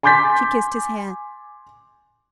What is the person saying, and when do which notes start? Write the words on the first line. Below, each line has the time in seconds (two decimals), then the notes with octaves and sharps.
She kissed his hand.
0.03 G#5 C6 D6 G6 A6 B6